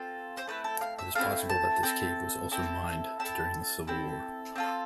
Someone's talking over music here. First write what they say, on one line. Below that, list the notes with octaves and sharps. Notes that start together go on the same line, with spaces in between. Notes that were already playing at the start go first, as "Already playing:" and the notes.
It is possible that this cave was also mined during the Civil War.
Already playing: C4 F4 A4
C5
A3 C4 E4 B4
A4
F5
E5
A3 C4 E4 F5
A5
C4 E4 A4
C4 E4 A4
C4 E4 A4 A5
C4 E4 A4
C4 F4 A4